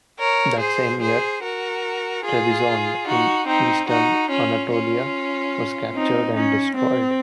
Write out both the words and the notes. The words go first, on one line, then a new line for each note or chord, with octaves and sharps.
That same year Trebizond, in eastern Anatolia, was captured and destroyed.
A#4 C#5
G#4 C5
G#4 C5
F#4 A#4
F4 G#4
D#4 F#4
C4 D#4
D#4 F#4
C#4 F4
C#4 F4
C4 D#4
C#4
C4